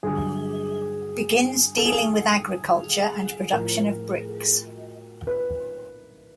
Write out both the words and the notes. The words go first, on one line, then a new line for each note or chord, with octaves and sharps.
Begins dealing with agriculture and production of bricks.
G2 D3 F#3 G#4
A4
G#4
A4
A2 F3 A#4
B4